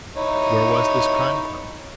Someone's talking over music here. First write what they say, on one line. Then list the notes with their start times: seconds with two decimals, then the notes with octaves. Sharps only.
Where was this Crime Club?
0.16 D#4 E4 C#5